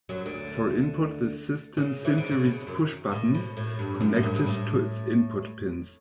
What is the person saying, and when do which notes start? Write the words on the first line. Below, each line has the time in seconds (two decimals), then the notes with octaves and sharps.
For input, the system simply reads pushbuttons connected to its input pins.
0.09 F#2 F#3
0.26 D2 D3
1.77 C#3
2.05 E3
2.18 D3
2.31 C#3
2.45 B2
2.67 F#2
3.12 A2
3.35 B2
3.57 A2
3.79 G2
4.01 F#2
4.15 A2
4.23 G2
4.36 G2
4.46 A2